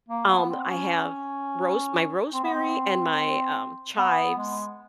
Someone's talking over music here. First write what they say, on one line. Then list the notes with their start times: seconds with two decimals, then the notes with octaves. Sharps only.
Um, I have rose my rosemary and my, um, chives
0.08 A#3
0.28 B3
0.49 C4
0.69 C#4
2.33 C4
2.43 B3
2.54 C4
3.97 B3
4.37 G#3